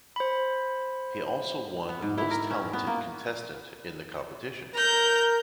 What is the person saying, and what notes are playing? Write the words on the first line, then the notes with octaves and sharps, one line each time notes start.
He also won Most Talented contestant in the competition.
C5 B5
B3
G#2
E4
A#4
C#4
B3
A#3
A#4 A#5 G6